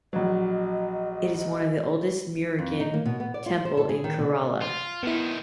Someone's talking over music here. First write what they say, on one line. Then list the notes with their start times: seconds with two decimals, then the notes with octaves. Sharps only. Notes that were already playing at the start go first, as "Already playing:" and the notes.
It is one of the oldest Murugan temple in Kerala.
0.13 A#1 F#3 D#5
2.59 F2
2.80 D#4
2.94 A#3
3.06 B2
3.20 B3
3.34 D5
3.46 F4
3.65 C5
3.77 A4
3.89 G#4
4.04 D#3
4.19 B2
4.62 F4
5.03 A2 D#3 B3 E4